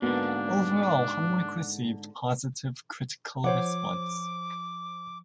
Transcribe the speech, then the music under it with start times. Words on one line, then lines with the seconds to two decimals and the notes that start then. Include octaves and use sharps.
Overall, "Homework" received positive critical response.
0.02 G#2 D3 A#3 B3 D4 F#4
3.44 F3 C5 C#5 F#5 D6